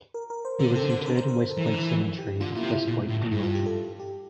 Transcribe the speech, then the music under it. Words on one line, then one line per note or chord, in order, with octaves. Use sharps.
He was interred in West Point Cemetery, West Point, New York.
A#4
A#4
C5
D3 A#4
C3 A4
D3
C5
A#4
C5
A#4
A4
E3
D3 A#4
E3
A#4
G4
D3 F4
A#2 E4
C3
E4
A#2
A2
G2 E4
F4
G4
A4
G4